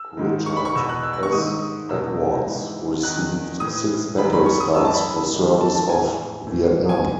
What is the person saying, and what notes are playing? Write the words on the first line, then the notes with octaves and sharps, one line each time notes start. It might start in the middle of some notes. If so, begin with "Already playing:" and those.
Richard S. Edwards received six battle stars for service off Vietnam.
Already playing: E6
G#2 D#3
C#6
B5
C#6
E2 B2 E6
F#6
E6
E6
C#6
G#2 D#3 D#6
D#6
E2 B2 E6
G#2 E3
E2 D#3 F#6
A2 E3 D#6
F#2 D#3 B5
B5
C#6
D#6
F#2 E3 E6
A5
B5
G#2 D#3
A5
A5
A2 E3 G#5
A2 E3
G#5